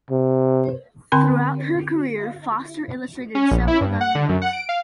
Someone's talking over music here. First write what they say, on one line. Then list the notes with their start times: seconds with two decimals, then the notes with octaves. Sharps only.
Throughout her career Foster illustrated several dozen books.
0.11 C3
1.12 D3 C4 G5 B5 C6
3.35 C#4
3.51 A#1
3.68 E4
3.81 G2
4.01 F#5
4.15 D3
4.29 F#2
4.42 F#5
4.53 D7
4.69 F5